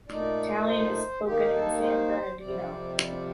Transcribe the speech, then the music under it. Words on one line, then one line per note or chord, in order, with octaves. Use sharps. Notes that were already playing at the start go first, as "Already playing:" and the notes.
Italian is spoken in San Bernardino.
A#2 A3 D#4 D5
C5
D#2 D#3 A#3 D#4 G4
A4
C5
F2 C3 G3 C4 D5
D5